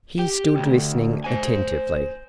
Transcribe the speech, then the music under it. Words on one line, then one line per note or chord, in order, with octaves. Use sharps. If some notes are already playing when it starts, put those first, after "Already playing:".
He stood listening attentively.
G4
D2
C5 G#5